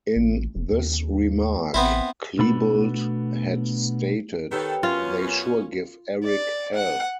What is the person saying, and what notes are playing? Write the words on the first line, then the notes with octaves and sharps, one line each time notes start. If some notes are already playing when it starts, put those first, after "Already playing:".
In this remark, Klebold had stated, They sure give Eric hell.
A1
E1
D#2
A1 B3 C4 E4
B2 A3 B3 D4 F#4 B5
D#3 B3 G4 A4 C#5
F#2 C#4 F4
D5
F#5